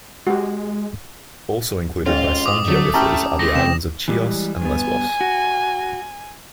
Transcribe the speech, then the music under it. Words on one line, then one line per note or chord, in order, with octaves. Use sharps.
Also included by some geographers are the islands of Chios and Lesbos.
G#3 F#4 G4
F2 G#2 C#4 F4
D6 D#6
D3 F#3 A3
C#4 E4 G4 A5 A#5
G#3 A3 A#6
C3 C4 G5 E7
E3 G3 G#3
G2 B3 G#5
F#4